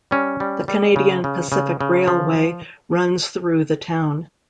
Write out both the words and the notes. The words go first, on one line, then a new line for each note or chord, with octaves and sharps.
The Canadian Pacific Railway runs through the town.
G3 C#4
G3
G3
C#3
C#3
C#3
C#3
F3